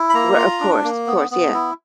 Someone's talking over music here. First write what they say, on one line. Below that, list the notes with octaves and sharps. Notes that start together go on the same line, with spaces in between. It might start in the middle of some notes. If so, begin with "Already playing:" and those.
Ri of course, of course, yeah.
Already playing: E4
B5
A#3 A#5
F4
D4
A#3
B3
B3
E4